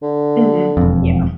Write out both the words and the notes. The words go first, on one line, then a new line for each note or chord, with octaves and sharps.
Mhm, yeah.
D3
E1 F2